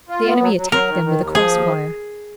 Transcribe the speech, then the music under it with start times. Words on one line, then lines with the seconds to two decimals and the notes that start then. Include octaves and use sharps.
The enemy attacked them with a cross-fire.
0.09 F4
0.24 B3
0.40 F#3
0.56 F#3
0.72 F#3 A#4
0.87 D#3
1.04 D#3
1.19 D#2
1.35 F3 G#4
1.51 D#2